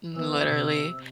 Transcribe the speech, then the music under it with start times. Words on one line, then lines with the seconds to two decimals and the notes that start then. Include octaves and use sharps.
Mm, literally.
0.15 E3 B3 E6
0.47 C3